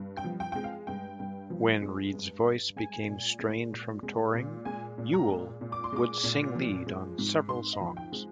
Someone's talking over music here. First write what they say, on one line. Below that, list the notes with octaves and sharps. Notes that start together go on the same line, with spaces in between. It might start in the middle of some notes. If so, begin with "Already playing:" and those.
When Reed's voice became strained from touring, Yule would sing lead on several songs.
Already playing: G2
G5
F3
G5
G#3 G5
F5
G2 G5
G2
F3
G#3
G2
G2
G#3 G#5
A#2
G#3
A#2
G#3
A#2
G#3 G#5
A#2
A#5
G#3
A#2
D6
C6
G#3 D6
A#2
F3
G#3
G#2
G#2 C6
D#5
F3
G5
G#3